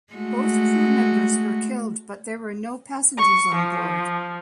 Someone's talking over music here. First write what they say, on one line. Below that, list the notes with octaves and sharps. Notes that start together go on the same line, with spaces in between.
Both crew members were killed, but there were no passengers on board.
G#3 A3 F#4
C#6
F3